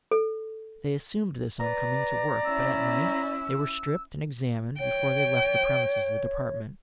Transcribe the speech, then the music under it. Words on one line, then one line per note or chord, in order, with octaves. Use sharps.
They assumed this on coming to work, but at night they were stripped and examined before they left the premises of the Department.
A4
B4 D5 A#5
C#4 E4 E6
C#5 G5